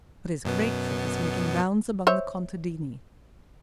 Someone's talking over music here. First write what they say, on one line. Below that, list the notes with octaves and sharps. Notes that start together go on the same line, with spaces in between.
But his great trick is making rounds among the contadini.
F#2 B2 B3
C5 C#5 E5